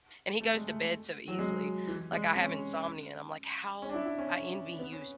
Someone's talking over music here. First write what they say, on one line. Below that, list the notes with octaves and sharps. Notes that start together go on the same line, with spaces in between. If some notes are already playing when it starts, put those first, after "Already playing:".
and he goes to bed so easily. Like, I have insomnia and I'm like, "How I envy you so
A3
G#3
A3
F#3
G#3
E3
G#3
C#4
C#4
D4
E4
E4
C#4
B3
C#4